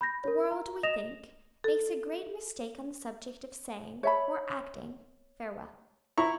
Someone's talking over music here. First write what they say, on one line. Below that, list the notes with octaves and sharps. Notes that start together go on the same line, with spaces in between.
The world, we think, makes a great mistake on the subject of saying, or acting, farewell.
B5 G6 A#6
A#4 C#5
A#5
D#5 D#6 A#6 E7 F7
A4
C#5 E5 B5
E4 A#5 C#6